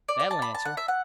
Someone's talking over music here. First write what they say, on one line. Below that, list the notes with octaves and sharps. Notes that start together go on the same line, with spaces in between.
That'll answer.
D5
D5
A5
B5
A5
F#5
E5
F#5